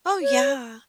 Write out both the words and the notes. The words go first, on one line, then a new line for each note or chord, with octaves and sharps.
Oh, yeah.
C#5